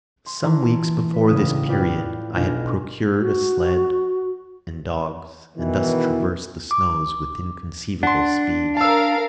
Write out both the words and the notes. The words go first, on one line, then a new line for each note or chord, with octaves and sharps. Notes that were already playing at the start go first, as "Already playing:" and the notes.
Some weeks before this period I had procured a sledge and dogs and thus traversed the snows with inconceivable speed.
C6
E3 A5 A#5
B4
E1 A2 C#3 D5 D#6
F4 B4 D5 G5
B1 D4 F4 G#5 A#6
F#4
B2 D#3 E3
D6
D4 F#5 C6
A#4 F5 A5 E6